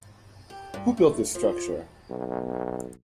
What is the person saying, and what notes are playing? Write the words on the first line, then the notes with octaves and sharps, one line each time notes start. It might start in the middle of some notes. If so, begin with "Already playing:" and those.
Who built this structure?
G4
G2
A3
F3
B1